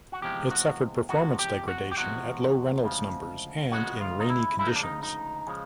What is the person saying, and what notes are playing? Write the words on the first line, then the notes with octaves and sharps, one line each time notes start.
It suffered performance degradation at low Reynolds numbers and in rainy conditions.
F#4
E2 C3 F3 G#3 G4
F#4
E2 C3 F3 G#3 F#4
G4
F#4
G4
E2 C3 F3 G#3 F#4
D2 C#3 F3 G#3
D2 C#3 F3 G#3 F#4
F4
D#4
E4
D2 C#3 F3 G#3 E4
D#4
D4
D#4
D#4
C#3 F3 G#3